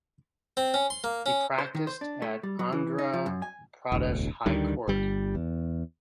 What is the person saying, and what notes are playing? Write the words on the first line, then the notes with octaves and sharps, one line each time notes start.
He practiced at Andhra Pradesh High Court.
C4
C#4
C6
A#3
C#4
C5
D#3
C5
D4
A3
G3
F#3
E3
D#4
F3
F#2
G#5
E1 A1 D2
D2 D3 D#3 G3
G1 G3
E2